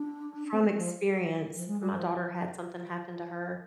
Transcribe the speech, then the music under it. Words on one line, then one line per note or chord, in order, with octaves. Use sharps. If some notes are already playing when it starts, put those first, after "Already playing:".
from experience. My daughter had something happen to her
Already playing: D4
C4
G#3
F3
F3
G#3
G3
F3